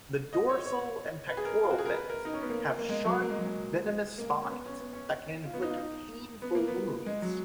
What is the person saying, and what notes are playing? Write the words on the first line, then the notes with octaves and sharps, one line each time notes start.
The dorsal and pectoral fins have sharp, venomous spines that can inflict painful wounds.
D#5
C#5
C#5
B4
G#4
A#4
F4
F#4
G#4
A#4
B4
A#4
D#4
C#4
B3
A#3
A#3
G#3
F#3
A#3
G#3
F#3
G#3
G#3
A#3
C#4
B3
C#4
B3
C#4
F4
B3
D#4
F4
D#4
B3
A#3
B3
G#3
F#3